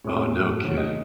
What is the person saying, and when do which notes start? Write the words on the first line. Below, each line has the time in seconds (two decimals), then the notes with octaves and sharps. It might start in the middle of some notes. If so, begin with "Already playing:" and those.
Oh, no kidding,
0.04 A2 G#3 C#5
0.33 A2 F#3 A3
0.63 C3 D#3 F#3 A3 C#5
0.77 D#5